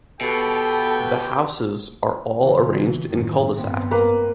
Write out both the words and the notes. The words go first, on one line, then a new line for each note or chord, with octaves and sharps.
The houses are all arranged in cul-de-sacs.
B2 F#4 G4 A4 B4 G5
C#3 E3
F#2 A2 D#3
G2 B3 C4
A#3 B4